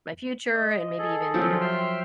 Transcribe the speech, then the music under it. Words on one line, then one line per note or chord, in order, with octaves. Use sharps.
my future and maybe even, you know,
D#5
G#4 A4
F3 F#3 C4
F4
E5 G5 C6 F6